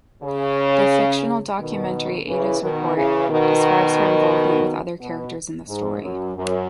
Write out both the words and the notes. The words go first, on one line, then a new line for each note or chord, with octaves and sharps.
The fictional documentary "Ada's Report" describes her involvement with other characters in the story.
C#3
B2 D#3
C#3 E3
B2 D#3
C#3 E3
B2 D#3
B2
G#2
F#2
F#2